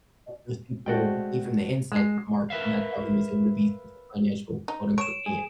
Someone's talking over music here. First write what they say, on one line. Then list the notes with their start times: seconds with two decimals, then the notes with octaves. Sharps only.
and those people gave him the insights of the market, and that's how he was able to be such a financial quote unquote "genius."
0.86 G#3 A3 C4 F#4 D5 G5
1.92 G#3 C7 E7
2.50 A#4 B4 E5 F5
4.68 D#4
4.98 C#5 D7 E7
5.26 G#4